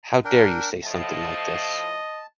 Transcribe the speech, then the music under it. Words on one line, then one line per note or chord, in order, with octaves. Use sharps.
How dare you say something like this?
D4 A#4 G5
A2 F3 D#5 A5